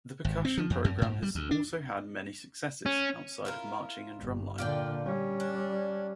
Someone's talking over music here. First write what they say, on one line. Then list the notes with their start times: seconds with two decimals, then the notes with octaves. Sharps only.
The percussion program has also had many successes outside of marching and drumline.
0.25 G#1
0.45 C4
0.58 F3
0.70 F2
0.84 F#2
1.02 G#2
1.22 G3
1.35 D2
1.51 D4
2.86 C#4
3.45 E4 F4 A#4
4.19 G1
4.58 A#2 D3 F4 D5 G5
5.05 G3 C#4
5.40 D4